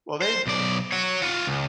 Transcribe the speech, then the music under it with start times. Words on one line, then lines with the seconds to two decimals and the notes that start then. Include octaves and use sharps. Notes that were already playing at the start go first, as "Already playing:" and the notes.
Well, they
0.22 C5
0.47 B1 D5
0.92 C#5 F#5
1.22 F4 F#5
1.47 C#2